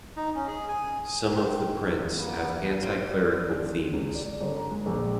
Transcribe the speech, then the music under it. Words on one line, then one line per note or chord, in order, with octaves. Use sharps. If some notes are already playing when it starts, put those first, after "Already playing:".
Some of the prints have anticlerical themes.
D#4
C#4
G#4
G#5
A#4 G5
G2 A#3 B3
G3 C4
C#2
D5
G1
A#5
G#3
A#1